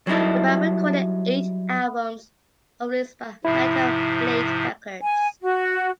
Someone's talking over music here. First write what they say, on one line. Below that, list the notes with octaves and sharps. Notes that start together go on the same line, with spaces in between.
The band recorded eight albums, all released by Metal Blade Records.
F#3 G3 D#4 E4 A4
G#2 C3 F3 E4
G#5
F#4